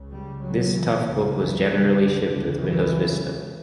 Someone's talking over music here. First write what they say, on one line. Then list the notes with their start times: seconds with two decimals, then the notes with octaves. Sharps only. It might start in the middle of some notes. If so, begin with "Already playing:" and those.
This Toughbook was generally shipped with Windows Vista.
Already playing: C#2 C#3
0.10 G3
0.40 F#3
0.72 E3
1.02 C#2 C#3 F#3
1.34 E3
1.65 C#3
1.95 D3
2.26 C#2 C#3
2.57 E3